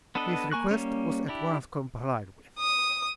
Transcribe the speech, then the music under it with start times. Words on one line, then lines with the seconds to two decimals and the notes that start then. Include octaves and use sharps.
His request was at once complied with.
0.15 B3 D4 A4 B4 D#5
0.52 A#3 G#5 C#6 F#6
0.71 G3 A#3 C#4
1.28 D4 E4 G4
2.59 D#6